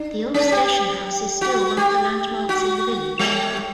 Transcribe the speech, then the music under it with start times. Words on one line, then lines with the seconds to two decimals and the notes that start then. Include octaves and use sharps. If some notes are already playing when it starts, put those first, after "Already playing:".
The old station house is still one of the landmarks in the village.
Already playing: D4
0.34 C#4
0.52 G4
1.41 F#4
1.77 G4
2.49 F#4
3.19 G3